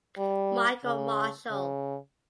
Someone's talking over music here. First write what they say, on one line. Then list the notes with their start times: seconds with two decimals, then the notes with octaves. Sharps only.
Michael Marshall.
0.18 G3
0.84 C#3
1.51 C#3